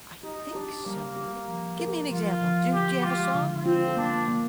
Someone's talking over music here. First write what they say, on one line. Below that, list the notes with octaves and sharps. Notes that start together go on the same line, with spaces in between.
I think so. Give me an example, do do you have a song or anything?
D#4 G4
D4 G4
G3 A#3
G4
F3
A#4
F3 F4
F3
D3 G4
G#3 F4
D3
C4 F4
A#3 D4
A#3